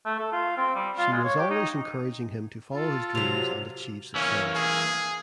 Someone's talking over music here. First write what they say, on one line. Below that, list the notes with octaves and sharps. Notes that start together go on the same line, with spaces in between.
She was always encouraging him to follow his dreams and achieve success.
A3
A4
F4
C4
G3
F4
G#3
C#5
G4
D#4
F4 A4
C3 F#3 F7
E3 A#3 C#4
G#4